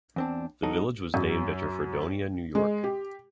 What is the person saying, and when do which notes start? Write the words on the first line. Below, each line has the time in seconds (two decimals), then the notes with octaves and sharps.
The village was named after Fredonia, New York.
0.16 E2 C4 D4
0.63 F#3 D#4 A4
1.14 F#2
2.55 G#3
2.84 G4